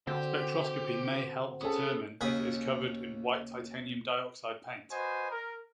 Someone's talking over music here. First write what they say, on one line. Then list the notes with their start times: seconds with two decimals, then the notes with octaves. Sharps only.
Spectroscopy may help determine if it is covered in white titanium dioxide paint.
0.07 D3 C4 F#4 G4 G5
1.62 B3 C#4 G#4 A4
2.21 D#2 C#3 G#5 B5 D#6
4.91 F#4 B4 C5 D#5 G#5
5.30 A#4